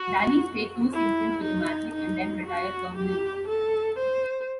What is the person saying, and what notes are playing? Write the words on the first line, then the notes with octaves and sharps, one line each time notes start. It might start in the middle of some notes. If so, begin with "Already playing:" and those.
Daly stayed two seasons with the Magic and then retired permanently.
Already playing: F#4
E4
D#4
D#4
F#4
G4
A4
C5